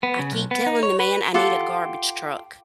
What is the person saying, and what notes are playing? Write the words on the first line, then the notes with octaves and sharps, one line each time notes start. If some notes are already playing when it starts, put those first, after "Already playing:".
I keep telling the man I need a garbage truck,
B3
C#3
B1
B3
D#4
C#5
B4
F4 G4 A4 F#5